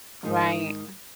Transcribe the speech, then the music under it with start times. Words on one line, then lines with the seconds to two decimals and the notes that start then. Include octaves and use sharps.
Right, mm.
0.24 G#2 D#3 G#3 D#4